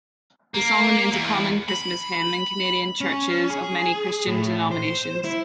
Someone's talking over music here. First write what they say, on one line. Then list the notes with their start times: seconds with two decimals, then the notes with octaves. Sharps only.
The song remains a common Christmas hymn in Canadian churches of many Christian denominations.
0.54 A#3
1.12 E2
1.69 B5
3.01 C#4
3.50 G#4
4.27 A2
4.72 C5
5.24 E4